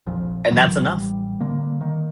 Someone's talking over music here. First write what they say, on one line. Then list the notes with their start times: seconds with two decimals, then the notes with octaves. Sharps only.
And that's enough.
0.06 A#1 F2 F3
0.51 A1 D#3 E3 F#3
0.82 A1 G3
1.40 D3 A#3
1.81 D#3